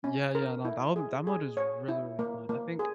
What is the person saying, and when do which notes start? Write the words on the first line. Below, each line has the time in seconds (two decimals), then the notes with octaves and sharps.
Yeah, yeah, no, that m that mode is really, really fun. I think
0.04 C#4
0.35 A#4
0.65 E4
0.96 G#4
1.27 G#4
1.57 C#5
1.88 E4
2.19 A#3
2.49 A#3
2.79 G#4